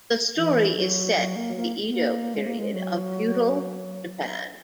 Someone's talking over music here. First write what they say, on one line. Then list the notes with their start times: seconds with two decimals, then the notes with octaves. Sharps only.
The story is set in the Edo period of feudal Japan.
0.37 E3
0.76 F#3
1.16 F#3
1.36 A#3
1.56 A#3
1.89 B3
1.96 A#3
2.34 G#3
2.46 A#3
2.59 G#3
2.74 F#3